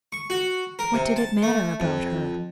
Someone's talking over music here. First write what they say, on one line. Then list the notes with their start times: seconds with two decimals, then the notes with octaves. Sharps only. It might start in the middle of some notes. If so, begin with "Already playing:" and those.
What did it matter about her?
0.12 C#6
0.30 F#4
0.79 A#4
0.94 C3
1.16 A5
1.43 A3
1.80 F2